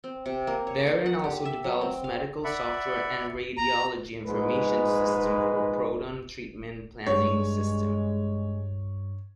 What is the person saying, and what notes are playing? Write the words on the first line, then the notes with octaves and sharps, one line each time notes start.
Varian also develops medical software and radiology information system for proton treatment-planning system.
C4
C3
A#3
C#5
A#3
F#5
G4
E5
F#3
C4
F5
D5 E5 F#5 B5
A#5
A#1 G#2 G#3 B4
G2 G#3 C#5